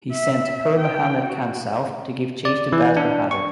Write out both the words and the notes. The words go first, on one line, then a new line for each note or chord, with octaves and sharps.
He sent Pir Muhammad Khan south to give chase to Baz Bahadur.
E5
G5
F#4
D5
E3
D4
C#6